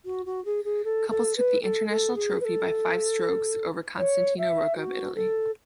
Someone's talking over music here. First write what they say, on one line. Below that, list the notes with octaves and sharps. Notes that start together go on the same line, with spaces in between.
Couples took the International Trophy by five strokes over Costantino Rocca of Italy.
F#4
F#4
G#4
G#4
A4
A4
B4
A4
A4
G#4
B4
A4
C#5
E5
F#4
A4